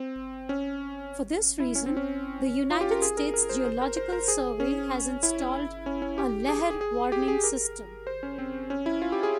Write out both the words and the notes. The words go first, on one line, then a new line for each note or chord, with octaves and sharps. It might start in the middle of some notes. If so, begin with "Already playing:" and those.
For this reason, the United States Geological Survey has installed a lahar warning system.
Already playing: C4
C#4
E4
C#4
C4
C#4
F4
G4
A#4
G#4
A#4
A#4
C5
C5
A#4
C5
A#4
G#4
C#4
E4
C#4
C#4
G4
G#4
G#4
G#4
G#4
G4
G#4
A#4
C5
C#4
C4
C#4
E4
F4
G4
G#4